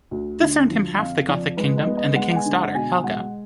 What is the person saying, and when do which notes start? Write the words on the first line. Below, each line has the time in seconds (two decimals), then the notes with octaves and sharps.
This earned him half the Gothic kingdom and the king's daughter, Helga.
0.11 D2
0.41 D3
0.70 F3
0.99 F2 F5
1.28 F3 D5
1.57 G#3 B4
1.77 D#5
1.87 B3
1.97 D#5
2.15 G#3 F#5
2.31 F#5
2.36 G#5
2.45 D3
2.54 F#5
2.75 B2 G#5
3.04 G#3 F#5